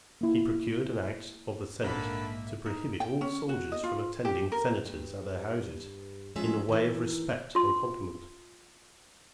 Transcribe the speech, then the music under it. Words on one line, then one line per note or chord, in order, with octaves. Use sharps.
He procured an act of the senate to prohibit all soldiers from attending senators at their houses, in the way of respect and compliment.
A#3 E4
A#1 G#2 D3 A#3 E5 A5 B5
D#4
G5
C#4
F#4
D#5
F4
G4
A#4
G2
F3 G#3 C#4 E5 A5
D#3 E3
F4 C6